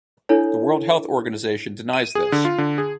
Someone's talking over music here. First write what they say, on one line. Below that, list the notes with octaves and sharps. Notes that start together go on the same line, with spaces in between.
The World Health Organisation denies this.
D4 E4 A4 C#5
D#7
G#4
D3
F4
D3
G#4